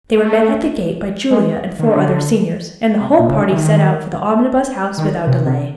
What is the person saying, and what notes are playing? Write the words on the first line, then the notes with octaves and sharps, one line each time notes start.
They were met at the gate by Julia and four other seniors, and the whole party set out for the Omnibus House without delay.
A3
G#3
D#3
D3
C3
A#2
C#3
D3
E3
D#3
D#3
C3
C3